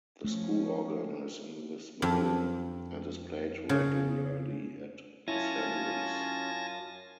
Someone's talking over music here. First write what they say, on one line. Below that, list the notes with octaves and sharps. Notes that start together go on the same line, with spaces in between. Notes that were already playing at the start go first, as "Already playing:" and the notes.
The school organ is in this building, and is played regularly at assemblies.
F3 A3 C#4
F2
C#3
F#2 C#4 E4 F4 G#5 A5 A#6